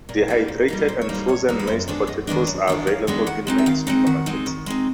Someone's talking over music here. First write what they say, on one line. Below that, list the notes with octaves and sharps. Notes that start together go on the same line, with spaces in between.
Dehydrated and frozen mashed potatoes are available in many supermarkets.
A#2 A#4
G3 A#3 D#4
A#2
G3 A#3 D#4
A#2 C5
C#5
G3 A#3 D#4
C5
A#2 C#5
G3 A#3 D#4
B4
F#2 C5
D#3 G#3 B3 D4 C5
F#2 D#5
D#3 G#3 B3 D4 D#5
F#2
D#3 G#3 B3 D4
F#2 F5
D#3 G#3 B3 D4
D#3 F#5
G#3 C4 D#4
E5
D#3 F5
G#3 C4 D#4 F#5
D#3 F#5
G#3 C4 D#4
D#3
G#3 C4 D#4